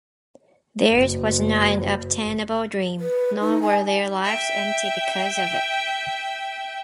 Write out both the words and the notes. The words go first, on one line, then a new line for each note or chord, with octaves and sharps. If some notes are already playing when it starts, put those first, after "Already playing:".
Theirs was not an unobtainable dream; nor were their lives empty because of it.
F#1
B4
D#4
G#5
E5 G5